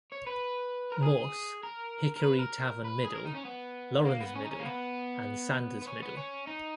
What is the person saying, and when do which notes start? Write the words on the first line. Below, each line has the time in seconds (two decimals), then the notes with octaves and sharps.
Morse, Hickory Tavern Middle, Laurens Middle, and Sanders Middle.
0.12 C#5
0.27 B4
0.92 A#4
1.02 G#4
1.63 A#4
2.16 A#4
2.23 B4
2.39 A#4
2.84 B4
3.04 G#4
3.14 A#4
3.25 D#4
3.35 C#4
3.45 B3
4.05 A#3
4.20 B3
4.36 C#4
4.45 D#4
4.51 C#4
4.60 A#3
4.66 B3
5.82 B3
5.87 C#4
6.02 B3
6.17 C#4
6.47 D#4